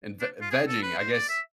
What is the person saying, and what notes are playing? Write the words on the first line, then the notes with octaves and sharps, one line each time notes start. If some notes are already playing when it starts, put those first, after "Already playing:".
and v vegging, I guess,
D4
F4
G#4
A4
B4
C5
D5
E5